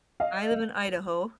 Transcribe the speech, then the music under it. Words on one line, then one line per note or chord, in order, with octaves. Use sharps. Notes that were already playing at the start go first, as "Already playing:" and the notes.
I live in Idaho,
D#5 F5